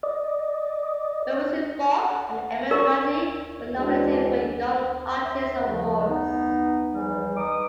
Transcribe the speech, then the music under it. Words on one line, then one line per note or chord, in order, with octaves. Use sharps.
Fairuza Balk and Emma Ridley were nominated for Young Artist Awards.
D5 D#5
F#5
A#4 C#6
E3 G#3 D4 F#4 B4
E5
C#2 A2 C#3 F3 G3 A3
B3 D#4
E2 G#2 E3 F3 G3
D#4 B4 D6 D#6